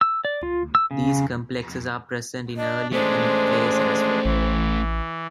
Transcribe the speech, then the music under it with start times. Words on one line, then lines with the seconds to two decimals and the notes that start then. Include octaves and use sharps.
These complexes are present in early M phase as well.
0.01 E6
0.25 D5
0.43 F4
0.75 E6
0.91 C#3
2.57 D4 D#5
2.92 G#3 A3 C#4 D4 C5
4.25 A1 E3